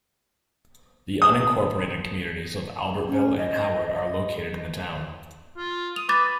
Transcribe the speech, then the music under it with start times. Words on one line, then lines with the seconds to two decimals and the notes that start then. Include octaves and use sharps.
The unincorporated communities of Albertville and Howard are located in the town.
1.22 D#6
3.09 C#4
3.38 D#5
3.96 D#5
5.57 F4
5.96 D#6 F7
6.09 B4 D6 A6